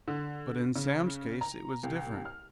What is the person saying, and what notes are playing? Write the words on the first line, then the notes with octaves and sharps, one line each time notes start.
But in Sam's case it was different.
D3
C#3
A#5
C2
F6